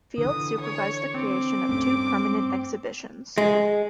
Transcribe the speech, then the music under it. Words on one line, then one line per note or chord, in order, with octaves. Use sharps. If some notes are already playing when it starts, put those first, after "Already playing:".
Field supervised the creation of two permanent exhibitions.
D3 E3 D#6
C#5
C4 D6
G2 A3 C#4
G#3